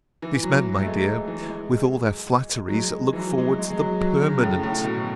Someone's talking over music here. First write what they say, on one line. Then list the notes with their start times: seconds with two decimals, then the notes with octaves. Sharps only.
These men, my dear, with all their flatteries, look forward to the PERMANENT.
0.22 E3
0.43 F#3
0.79 A3
0.86 G#3
1.28 E3
1.49 G#3
2.69 F#3
2.74 G#3
3.13 E3
3.16 F#3
3.38 G#3
3.59 G#3
3.70 G#3
3.79 F#3
4.01 F#3
4.21 C#3
4.43 A2
4.63 A2
4.84 B2